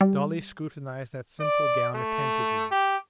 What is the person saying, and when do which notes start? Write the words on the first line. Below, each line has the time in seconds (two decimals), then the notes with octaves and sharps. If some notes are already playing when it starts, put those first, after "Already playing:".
Dolly scrutinized that simple gown attentively.
0.01 G3
1.40 D5
1.94 A3
2.72 G4